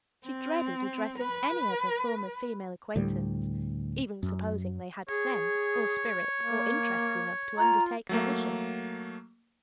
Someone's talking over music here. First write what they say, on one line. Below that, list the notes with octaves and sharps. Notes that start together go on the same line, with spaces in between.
She dreaded addressing any of her former female acquaintance, even supposing they had sense, or spirit, or interest enough to undertake her mission.
C4
B4
D2 A2 G3
F#2
G#4 C#5
A#3
F4 A#5
F#3 A3 A#3